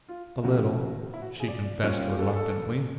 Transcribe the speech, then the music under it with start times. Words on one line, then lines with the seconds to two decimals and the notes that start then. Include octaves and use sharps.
"A little," she confessed reluctantly.
0.08 F4
0.43 D#2 C#3 F3 A3 F#4
0.54 G4
0.64 F#4
1.14 E4
1.22 F#4
1.40 G#4
1.48 D5
1.83 G3 A#3 C#4 F4 C#5
2.19 A4
2.27 G#4
2.36 A4